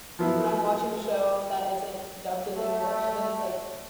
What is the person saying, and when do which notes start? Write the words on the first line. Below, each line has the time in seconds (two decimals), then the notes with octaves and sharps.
when I'm watching a show that isn't dubbed in English, then it's like,
0.19 F3 F#3 B3 E4
2.56 A3